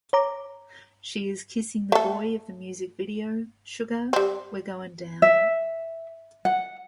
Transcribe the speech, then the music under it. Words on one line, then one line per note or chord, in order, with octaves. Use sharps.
She is kissing the boy of the music video "Sugar, We're Goin Down".
C#5 A#5 D6
A3 A4
G3 C4
E5
F#5